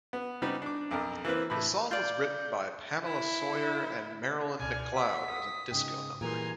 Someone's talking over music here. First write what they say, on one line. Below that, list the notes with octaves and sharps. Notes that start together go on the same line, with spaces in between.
The song was written by Pamela Sawyer and Marilyn McLeod as a disco number.
B3
C#3 G3 B3 C4 D#4
D4 D6
B1 F2 A#4
E3 A#3 C4 B4
A2 E3 B5
F4 D5 G6
E4
C#2 B2 D5 G#5 F6
F5 F#5 E6 B6
D#6
G#2 C#3 D#4 G5
A#2 E3 G3 G#4 A#4 G#5 A#5 C6